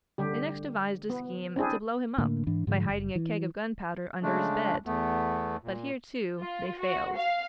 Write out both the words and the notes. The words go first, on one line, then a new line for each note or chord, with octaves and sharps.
They next devised a scheme to blow him up by hiding a keg of gunpowder under his bed; but here, too, they failed.
D3 G3 G4
B3
C4 D4 E4 G#4
A2 D3 A#3
G#2 E3 D4
G#2 D3 F3 G#3
F#1
E3
C#3 G#3 A3 D4
E2 A3 B3
A#2
F4
F#4
F5